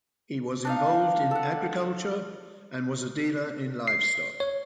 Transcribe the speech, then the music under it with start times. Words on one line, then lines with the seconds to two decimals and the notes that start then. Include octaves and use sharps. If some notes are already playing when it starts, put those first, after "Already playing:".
He was involved in agriculture and was a dealer in livestock.
0.65 D4 D#4 F5
1.31 A4 F#5
3.87 C7
4.40 C#5